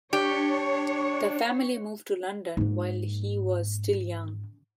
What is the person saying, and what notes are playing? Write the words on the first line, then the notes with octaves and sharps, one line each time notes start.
The family moved to London while he was still young.
D4 G4 C#5
G#2 A#3